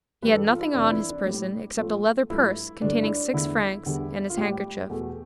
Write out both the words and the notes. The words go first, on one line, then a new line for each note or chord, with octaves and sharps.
He had nothing on his person except a leather purse containing six francs, and his handkerchief.
G2 E3 G3 B4
A4
F4
E4
F2 C3 E3 D4
E4
D4
A2 G3
A2 F3 A3
G2 F3 A3 E4
G2 D3 A3 D4
E4
D4
E2 D3 A3 E4
E2 D3 G3
F4
A2 G3 G4
E2 B2 A3